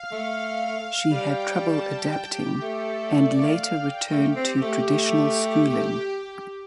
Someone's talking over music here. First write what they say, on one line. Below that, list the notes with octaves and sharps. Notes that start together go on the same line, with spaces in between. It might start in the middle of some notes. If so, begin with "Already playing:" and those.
She had trouble adapting and later returned to traditional schooling.
Already playing: F5
A3
G3 G5
A5
G5
G4
A3 A4
D5
F5
G5
A3 G4
C4
A3
A3
G4